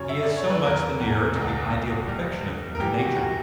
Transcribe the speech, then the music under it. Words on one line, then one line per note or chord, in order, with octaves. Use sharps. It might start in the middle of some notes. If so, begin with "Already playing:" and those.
He is so much the nearer to the ideal perfection of human nature.
Already playing: F#2 C#3 C#5
E5
D5
D3
C#5
B4
E2 A#4
E2
C#2
C#2
G3
D3
A#4
E3 G4
F#4
G4
F#2 F#4